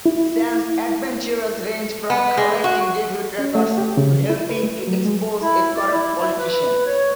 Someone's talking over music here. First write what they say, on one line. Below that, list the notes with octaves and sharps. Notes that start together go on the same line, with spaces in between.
Sam's adventures range from collecting debut records to helping to expose a corrupt politician.
E4
B3
G#3
F#4
C#4
A3
G4
C#3
E4
B4
A3
F#3
G#3
E4
D5
E4
E4
B4
C#5